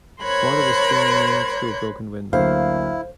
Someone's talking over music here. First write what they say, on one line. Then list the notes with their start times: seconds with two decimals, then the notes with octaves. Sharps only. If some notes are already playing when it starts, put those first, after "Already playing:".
Water was streaming in through a broken window.
0.22 A#4 C5 C#5 B5 F#6 G#6
2.33 D2 F#3 A#3 E4 C5 F5